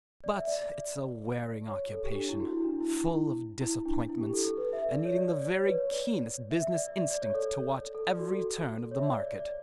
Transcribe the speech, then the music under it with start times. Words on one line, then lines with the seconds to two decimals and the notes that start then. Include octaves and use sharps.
But it's a wearing occupation, full of disappointments, and needing the very keenest business instinct to watch every turn of the market.
0.24 D5
0.36 E5
0.48 D5
0.59 D5
1.68 C#5
1.92 A4
2.04 G4
2.16 D4
2.29 E4
2.41 F#4
2.53 E4
2.64 D4
2.80 E4
2.97 E4
3.61 E4
3.85 D4
4.10 E4
4.21 G4
4.33 A4
4.45 A4
4.58 B4
4.73 E5
4.90 D5
5.05 C#5
5.18 D5
5.30 D5
5.41 D5
5.54 C#5
5.66 B4
5.78 C#5
5.90 D5
6.51 E5
6.62 E5
6.74 D5
6.87 E5
6.98 D5
7.11 D5
7.22 C#5
7.35 A4
7.95 A4
8.07 D5
8.19 F#4
8.31 A4
8.91 C#5
8.97 E5
9.03 D5
9.16 D5
9.27 D5
9.40 D5